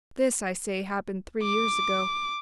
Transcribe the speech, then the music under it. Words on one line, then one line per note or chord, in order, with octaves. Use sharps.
This, I say, happened three years ago.
D6